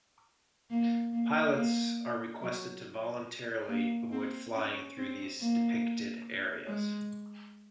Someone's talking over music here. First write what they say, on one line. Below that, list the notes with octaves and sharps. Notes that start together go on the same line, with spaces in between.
Pilots are requested to voluntarily avoid flying through these depicted areas.
A#3
A#3
A#3
F#3
A#3
C4
C#4
C4
A#3
G#3